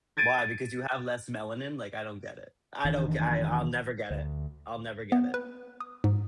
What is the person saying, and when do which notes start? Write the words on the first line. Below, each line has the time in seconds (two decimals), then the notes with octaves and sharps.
"Why, because you have less melanin," like, I don't get it. I don't I I'll never get it I'll never get it.
0.17 G#6 A6 D7 D#7
2.85 F1 D#3 E3 D4
4.11 D2
5.12 B3
5.34 B4
5.80 D#6
6.04 G#2